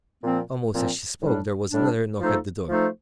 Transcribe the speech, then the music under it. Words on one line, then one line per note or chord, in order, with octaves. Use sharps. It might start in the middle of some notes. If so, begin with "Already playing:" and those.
Almost as she spoke, there was another knock at the door.
A#2 F3 C4
A#2 F3 C4
A2 G3 D4
A2 G3 D4
F3 A3 D#4 A4 C5
F3 A3 D#4 A4 C5